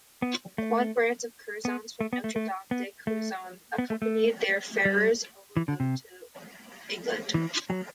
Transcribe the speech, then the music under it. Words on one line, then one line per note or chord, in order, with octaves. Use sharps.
One branch of the Curzons from Notre-Dame-de-Courson accompanied their Ferrers overlord to England.
B3
A3
B3
A3
B3
A3
A3
B3
A3
B3
A3
A3
G3
E3
D3
C3
E3
F#3